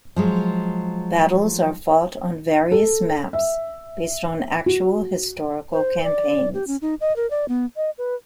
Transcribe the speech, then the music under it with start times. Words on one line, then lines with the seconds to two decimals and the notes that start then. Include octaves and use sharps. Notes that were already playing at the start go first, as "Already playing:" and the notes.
Battles are fought on various maps based on actual historical campaigns.
0.16 F3 F#3 G#3
2.72 A4
3.33 E5
4.66 F#4
5.73 C5
6.04 D5
6.54 G4
6.67 C#4
6.82 D#4
7.01 D#5
7.16 A#4
7.31 D5
7.48 B3
7.76 D#5
7.98 B4